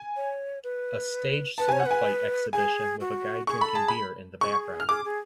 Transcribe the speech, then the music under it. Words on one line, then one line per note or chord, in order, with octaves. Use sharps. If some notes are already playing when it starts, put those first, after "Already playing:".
A staged sword fight exhibition with a guy drinking beer in the background.
Already playing: G#5
C#5
B4
B4 A5
C#5 G#5
F#5
B4 G#5
G#4 G#5
F#4
G#4 C#6
A4 B5
G#4 A5
B5
G#4 C#6
F6
G#4 D6
G#4